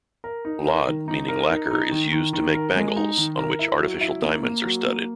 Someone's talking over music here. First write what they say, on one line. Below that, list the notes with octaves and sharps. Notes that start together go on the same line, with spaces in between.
"Laad" meaning lacquer is used to make bangles, on which artificial diamonds are studded.
A#4
D#4
A#4
D#3
D#4
A#4
D#4
D#4
D#3
D#3
D#3
A#4
G#3
D#4
D#3
A#4
E4
F#3
E4
A#3
A#3
F#3
A#3